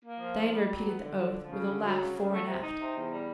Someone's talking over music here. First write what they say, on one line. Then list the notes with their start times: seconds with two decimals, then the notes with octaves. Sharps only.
Diana repeated the "oath" with a laugh fore and aft.
0.04 A#3
0.19 F3
0.37 D#3
0.53 G3
0.69 F#3
0.84 B3
1.01 D3
1.16 D3
1.32 F3
1.49 C#3
1.66 D3
1.82 F#3
1.98 C#3
2.14 C#3
2.30 A3
2.46 C3
2.62 D#4
2.79 C3
2.95 E2
3.11 G3